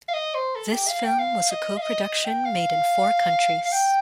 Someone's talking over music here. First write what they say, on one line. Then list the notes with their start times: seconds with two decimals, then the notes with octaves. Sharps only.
This film was a co-production made in four countries.
0.08 F5
0.14 D#5
0.35 C5
0.56 A4
0.72 G4
0.88 F5
1.04 G5
1.19 F5
1.51 D#5
1.77 F5
1.82 D#5
2.03 D#5
2.25 G5
2.46 F5
3.65 F5
3.72 G5